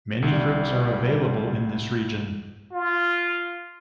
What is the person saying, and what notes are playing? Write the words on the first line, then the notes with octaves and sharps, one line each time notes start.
Many fruits are available in this region.
C2 G3
F4